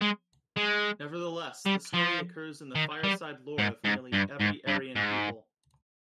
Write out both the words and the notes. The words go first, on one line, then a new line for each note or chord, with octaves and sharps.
Nevertheless, the story occurs in the fireside lore of nearly every Aryan people.
G#3
G#3
G3
F3
D#3
G3
G#2
G#2
G2
G#2
G2
G#2